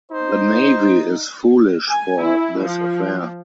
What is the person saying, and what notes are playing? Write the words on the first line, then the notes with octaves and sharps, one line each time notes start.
The Navy is foolish for this affair.
D#4 C5
G#5
E4
F3